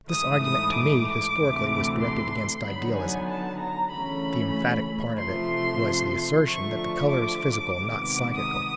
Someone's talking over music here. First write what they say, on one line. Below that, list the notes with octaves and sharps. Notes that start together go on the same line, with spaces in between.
This argument, to me historically, was directed against idealism: the emphatic part of it was the assertion that the colour is physical, not psychical.
G#2 E3 A3 D#6
D#6
D6
D2 C3 E3 A3
C6
D3 F#3 B3 D#4 B5
G#5
A5
A#5
D2 C#3 E3 A3 C#4 B5
C3 F3 A3 C6
D3 F3 A3 C#6
C#6
D6
C3 D#3 G#3 B3
D#6